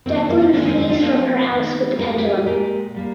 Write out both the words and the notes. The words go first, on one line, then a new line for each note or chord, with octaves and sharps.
Declan flees from her house with the pendulum.
C3 D#3 A#3 C4
C4
A#3
C4
D#3 G#3 A#3 D4
C4 D#4
C4 D#4
D4 F4
A#2 F3 A#3
D#3 A#3
A#2 G3 A#3 A#4
G#4
G4
F4 G#4
A#2 G#3 G4 A#4
A#2 G3 A#3